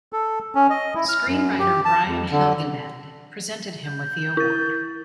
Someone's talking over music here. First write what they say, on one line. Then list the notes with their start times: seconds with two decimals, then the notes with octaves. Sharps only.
Screenwriter Brian Helgeland presented him with the Award.
0.13 A4
0.55 C#4
0.70 D#5
0.95 E4
1.09 F6
1.28 F#2
1.59 G4
1.85 A5
2.07 F2
2.31 D3
3.86 G6
4.37 E4 A6